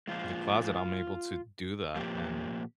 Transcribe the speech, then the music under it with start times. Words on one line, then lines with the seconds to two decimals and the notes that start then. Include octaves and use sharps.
the closet, I'm able to do that, and
0.08 A#2 F3 G#3 F4
1.96 A#2 F3 A#3 G4